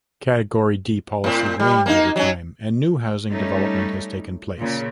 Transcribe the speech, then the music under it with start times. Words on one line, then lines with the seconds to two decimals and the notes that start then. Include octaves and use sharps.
The Category D policy waned over time and new housing development has taken place.
1.24 A2 C4
1.60 G3
1.86 A#3 C#4 D#4
2.16 F#3 C#4
3.31 G3 A3 C#4 D#4
4.59 A#2 C#3